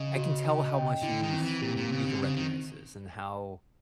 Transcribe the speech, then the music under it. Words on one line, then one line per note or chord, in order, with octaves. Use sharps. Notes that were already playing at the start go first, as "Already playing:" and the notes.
I can tell how much you've you you can recognize this and how
Already playing: C#3 D#5
F#4
D#5
G5
D3 E4
D#3
C4
E3
A#2 G4
A#2
C#3 C4
D3
C#3 C4
D#3